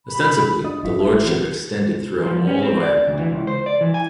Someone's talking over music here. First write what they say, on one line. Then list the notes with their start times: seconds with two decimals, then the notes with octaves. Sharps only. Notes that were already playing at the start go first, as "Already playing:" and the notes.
Ostensibly, the lordship extended throughout all of Ireland.
0.09 B5
0.64 D4 D#5 D#6
0.83 G#1 F#3 E4 F#4 B6
1.00 E5
1.24 E3 A#3 C4 F#4
2.26 F3
2.47 C#4
2.63 C4
2.83 D5
3.07 D2
3.19 E3
3.30 C#2
3.47 C5
3.66 D5
3.81 E3
3.94 G#5